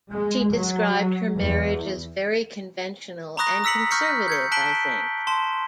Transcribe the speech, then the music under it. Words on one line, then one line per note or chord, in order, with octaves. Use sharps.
She described her marriage as very conventional and conservative, I think.
G#3
F#3
E2
A#5 B5 C#6 D#6 F#6 A#6
D#6 E6 B6 C#7 F#7
C#6 F6 G6 B6 C#7
G6 G#6 C#7
A5 F#6 B6 D7 F#7 G7
A5 C6